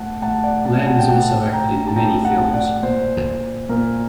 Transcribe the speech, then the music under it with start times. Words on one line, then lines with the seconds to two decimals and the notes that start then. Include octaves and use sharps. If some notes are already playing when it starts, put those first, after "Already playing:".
Lam has also acted in many films.
Already playing: A2 F#5 A5
0.22 A2 F#5 A5
0.44 D5 F#5
0.65 F#5 A5
0.87 F#5 A5
0.99 G5
1.09 A2 F#5 A5
1.52 G5 A#5
1.87 A5
1.96 A2 G5 A#5
2.25 F#5 A5
2.54 D5 F#5
2.83 A#2 C5
3.69 A#2 A#4